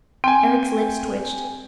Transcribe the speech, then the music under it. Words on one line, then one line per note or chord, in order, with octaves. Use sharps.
Eric's lips twitched.
C4 G5 G#5